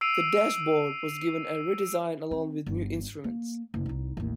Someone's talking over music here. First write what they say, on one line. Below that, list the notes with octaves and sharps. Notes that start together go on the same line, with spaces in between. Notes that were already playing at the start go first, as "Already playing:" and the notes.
The dashboard was given a redesign along with new instruments.
E6 C7 D7 D#7 F7
C4
G1
A#3
F#1
C2 D#4
A1 D#2